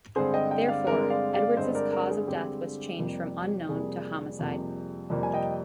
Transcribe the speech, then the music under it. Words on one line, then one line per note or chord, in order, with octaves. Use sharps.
Therefore, Edwards' cause of death was changed from unknown to homicide.
G2 D3 G#3 C4 G#4 C5
D#5 G5
D#5 G5
D5 F5
G2 D3 G#3 C4 A#4 D5
D5 F5
D5 F5
G2 D3 G#3 C4 C5 D#5
A#4 D5
A#4 D5
G#4
G2 D3 G#3 C4 G4
F2 C3 G3 A#3
F2 C3 G3 A#3 G#4
F2 C3 G3 A#3
F2 C3 G3 A#3
G#5
D#5 G5